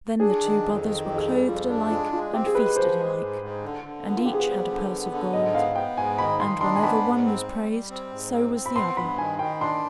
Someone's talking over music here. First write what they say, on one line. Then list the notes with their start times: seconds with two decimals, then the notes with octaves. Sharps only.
Then the two brothers were clothed alike and feasted alike, and each had a purse of gold; and whenever one was praised, so was the other.
0.19 D4 G#4
0.41 D#3
0.63 F2
0.84 D#3
1.05 F2 G4
1.16 G#4
1.26 G3 G4
1.48 F2 F4
1.69 D4
1.91 G#3 F4
2.12 G#3 F4
2.33 C4 G4
2.46 G#4
2.55 G#3 B4
2.76 F3 C5
2.98 G#3
3.20 G#2
3.41 G#2
3.62 D3
3.84 D3
4.05 B3
4.17 F4
4.26 B3 G4
4.33 G#4
4.40 B4
4.47 G3 C5
4.69 D3
4.91 B3
5.11 D3
5.33 G#2 D#5
5.54 B3 F5
5.75 B3 G5
5.97 G#2 G#5
6.18 D#3 B5
6.40 D#3 C6
6.61 D4 C6
6.76 G#5
6.83 B3 B5
7.05 G#2
7.26 C4
7.47 G3
7.69 G3
7.90 C4
8.11 G#2
8.33 C4
8.54 C4
8.66 B5
8.76 B3 C6
8.97 G2 B5
9.18 D#3 G#5
9.39 D#3 G5
9.61 D4 C6